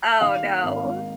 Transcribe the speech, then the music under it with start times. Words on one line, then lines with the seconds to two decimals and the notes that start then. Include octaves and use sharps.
Oh, no.
0.21 D#3 F5
0.42 A#3
0.63 G#1
0.84 G#2